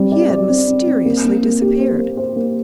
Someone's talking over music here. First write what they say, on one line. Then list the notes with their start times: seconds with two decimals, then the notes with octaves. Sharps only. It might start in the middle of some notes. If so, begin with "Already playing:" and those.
He had mysteriously disappeared.
Already playing: G3 C4 D5
0.12 D5
0.30 D5
0.49 C4
0.67 C4
0.87 C4
1.05 A#3
1.25 A#3
1.43 A#3
1.61 G4
1.80 C5
1.99 A#3
2.17 C5
2.36 A#3